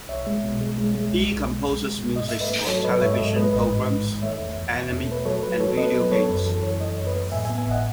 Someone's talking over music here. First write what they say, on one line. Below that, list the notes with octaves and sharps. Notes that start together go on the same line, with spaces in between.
He composes music for television programs, anime, and video games.
B1 C#5 E5
G#3
B2
G#3
G#3
G#3
B1
B1
G#3
B1
G#3
B2
G#2 D#5
A3 E5
B4 D#5
A3
F#3 A4 C#5
F#3 B4 D#5
G#2 C#5 E5
D#5
G#2 A4 C#5
G#3 B4 D#5
A1 B4 D#5
G#2
A1
D#3
A3 C#5 E5
E2
E2
E2
B2
A4
A3 B4
F#3 A4 C#5
F#3 B4
F#3 A4 C#5
B3 B4 D#5
F#3 B4
F#3 A4 C#5
F#2 B4
E3 A4
E3 A4 C#5
A3 D#5
F#2 C#5
B4 D#5
A3
A2 E5 G#5
E5 G#5
B3
E5 G#5
A1 D#5 F#5